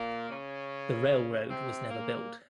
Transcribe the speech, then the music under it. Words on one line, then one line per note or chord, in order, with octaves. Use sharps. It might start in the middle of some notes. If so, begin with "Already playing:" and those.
The railroad was never built.
Already playing: A#2 A#3
C#3 C#4
C3 C4
A#2 A#3